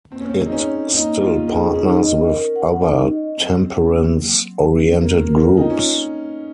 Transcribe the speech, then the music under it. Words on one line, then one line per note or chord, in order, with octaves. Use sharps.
It still partners with other temperance-oriented groups.
A#3 C4
C#4
C4
G#4
D#4
C#4
C#4
A#3 D#4
A#3 F4
D#4 G#4
C#4 D#4
D#5
A#4
F#5
D#4
D#5
F#3 C4
C#4
A#3
F#3
F#3
C#4
A#3 C#4
A#4
D#4 F4
C#4